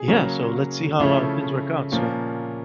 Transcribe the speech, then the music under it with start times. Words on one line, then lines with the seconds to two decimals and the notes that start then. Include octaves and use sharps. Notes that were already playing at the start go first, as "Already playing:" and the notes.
Yeah, so let's see how our things work out, so
Already playing: G#4
0.08 C#3 F#3 A#3 C#4
1.00 C#3 F3 A3 C#4 E4
1.92 A#2 F3 A#3 C#4